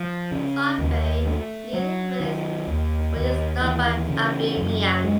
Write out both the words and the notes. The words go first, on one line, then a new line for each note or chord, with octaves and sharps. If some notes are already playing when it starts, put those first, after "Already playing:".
Sonbai nearly relents, but is stopped by Abu Mian.
Already playing: F3
C#3
D#2
A3
F#3
D#3
D#2
D#2
E3
C#3
F#2
G#3